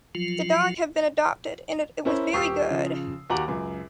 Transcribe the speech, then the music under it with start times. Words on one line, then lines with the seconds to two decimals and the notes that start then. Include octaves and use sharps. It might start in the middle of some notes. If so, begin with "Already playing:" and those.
The dog had been adopted, and it was very good.
0.15 F3 F#3 F4
2.05 C#4 E4 A#4 C5 C#5
2.33 D#1 G4 C#6 D#6 E6 C7
2.71 C#3 F3
3.30 D#2 F#4 G4 A#5 D6 F#7
3.48 C#2 F#2 G#5 D6